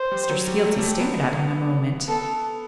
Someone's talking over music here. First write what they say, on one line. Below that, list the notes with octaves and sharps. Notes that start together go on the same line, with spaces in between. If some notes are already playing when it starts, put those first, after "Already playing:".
Mr. Skeelty stared at him a moment.
Already playing: C5
G3
F#3
G3
A3
G3
A3
B3
B3 A4